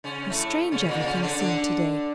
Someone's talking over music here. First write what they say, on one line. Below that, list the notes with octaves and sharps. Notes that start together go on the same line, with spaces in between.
How strange everything seemed to-day.
C#3 C#4
A2 A3
C#3 C#4
A#2 A#3
A#3
C#3 C#4
D3 D4
D3 D4